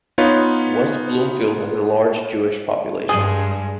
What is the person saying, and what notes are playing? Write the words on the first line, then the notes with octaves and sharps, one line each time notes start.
West Bloomfield has a large Jewish population.
B3 D#4 F4 B4 C#5
G2 G#3 G#4